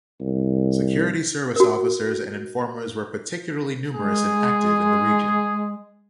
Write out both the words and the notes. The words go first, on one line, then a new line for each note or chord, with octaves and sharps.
Security service officers and informers were particularly numerous and active in the region.
C2
F#4 A#4
G#3 G#4